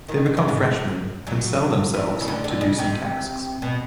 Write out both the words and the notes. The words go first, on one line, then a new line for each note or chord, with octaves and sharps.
They become freshman and "sell" themselves to do some tasks.
D#2 D#3
D#2 D#3
F#2 F#3
G#2 G#3
F#2 F#3
E2 E3
C#3
D2 D3
D2 D3
C#3
C3
B2